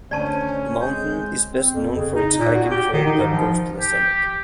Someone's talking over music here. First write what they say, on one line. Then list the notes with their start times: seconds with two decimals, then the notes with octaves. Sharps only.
The mountain is best known for its hiking trail that goes to the summit.
0.11 D2 C#4 C5 D5 A5 C#6 D#7
0.81 G#3 C4 G6
1.53 C4
1.74 F2
1.97 C#3
2.15 D#4
2.38 A#2
2.55 F#4
2.71 G4
2.93 D#3
3.06 D#4
3.19 G#2
3.32 F3
3.80 G4